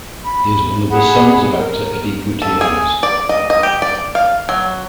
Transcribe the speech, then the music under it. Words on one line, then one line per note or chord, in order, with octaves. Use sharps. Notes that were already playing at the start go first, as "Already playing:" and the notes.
He is one of the sons of actor Eddie Gutierrez.
B5
G#4 F#5 B5
A#4
A4
G#4
D5
D#5
D#5
G4
D5
F5
F#3